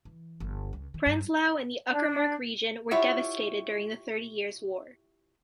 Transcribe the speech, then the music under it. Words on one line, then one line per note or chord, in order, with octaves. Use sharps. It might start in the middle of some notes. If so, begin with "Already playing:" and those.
Prenzlau and the Uckermark region were devastated during the Thirty Years' War.
E3
G1
C#2
D#3
G2
D4
E4 F4 G4 C#5 E5 F#5